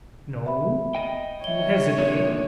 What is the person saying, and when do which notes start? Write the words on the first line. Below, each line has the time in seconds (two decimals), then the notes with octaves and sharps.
No? You hesitate?
0.46 E5 B5
0.95 D#5 G5
1.44 C#5 E5 G7
1.98 A#2 D3 D#3